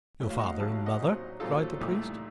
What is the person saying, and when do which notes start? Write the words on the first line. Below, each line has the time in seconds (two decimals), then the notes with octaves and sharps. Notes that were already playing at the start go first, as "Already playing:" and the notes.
"Your father and mother?" cried the priest.
0.20 A1 A2 F#3 A3
0.30 F5
0.39 D#5 F#5
0.60 A1 A2 F#3 A3 F5 A5
0.86 D#5 F#5
0.99 A#2 F#3 C4 D#4
1.40 A#2 F#3 C4 D#4 F4 A4
1.81 C2 A#2 A3 D#4